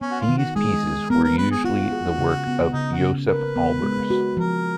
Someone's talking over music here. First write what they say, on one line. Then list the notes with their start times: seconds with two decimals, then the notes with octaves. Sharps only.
These pieces were usually the work of Josef Albers.
0.01 B3 C#4
0.11 F#4
0.20 F4
0.29 D#3
0.38 F#4
0.56 G#3 G#4
0.84 G#3
1.10 B3 A#4
1.24 A#4
1.37 G#3 B4
1.51 G#4
1.64 F4 F#4
1.92 G#4
2.19 C#3
2.47 B3
2.73 C#3 D#4
2.92 F#4
3.00 C#3
3.28 A#4 B4
3.56 B3
3.83 G#3
4.10 F#4
4.37 F3 A#4